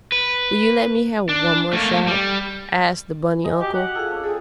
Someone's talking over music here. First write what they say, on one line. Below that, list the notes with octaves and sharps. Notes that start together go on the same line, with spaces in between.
"Will you let me have one more shot?" asked the bunny uncle.
B4
D4
A3 A#3
G3
D#4 D#5 G#5
F#4 G4 G5
F#5
F4 G#4 A4 F5 G#5
C#4 D4
G#4 A4 G5